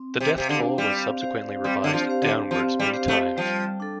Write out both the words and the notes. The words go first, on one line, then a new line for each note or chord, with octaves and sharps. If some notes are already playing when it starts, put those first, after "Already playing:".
The death toll was subsequently revised downwards many times.
Already playing: C4
C3
C3 G4 C5 F5
D3
G3 C4
G4 C5 F5
G3 C4
D3
F3
G4 C5 F5
D3
F3 C4
G3
G4 C5 F5
A3
F3 G3
D4 A4